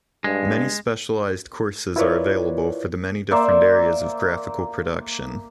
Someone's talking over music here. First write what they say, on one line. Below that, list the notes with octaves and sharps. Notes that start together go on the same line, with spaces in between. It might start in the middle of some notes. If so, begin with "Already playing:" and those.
Many specialized courses are available for the many different areas of graphical production.
G2 G#3
E4 F4 A#4 B4 C#5 D5
A#3 C5 D5 E5